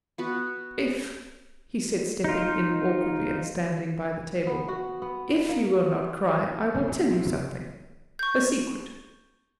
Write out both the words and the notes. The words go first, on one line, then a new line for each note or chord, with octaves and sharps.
"If," he said, stepping in awkwardly and standing by the table, "if you will not cry I will tell you something--a secret."
B3 F#4 B4
D#4 F4
B3
F#4
B3
A#3
D1 C#3 F3 G3
D#2
A#1 C3 C4
D#1 A1 B2 B3
C#6 G6